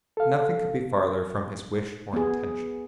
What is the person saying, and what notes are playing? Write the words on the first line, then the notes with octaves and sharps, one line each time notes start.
Nothing could be farther from his wish or intention.
A4 F5
B3 G#4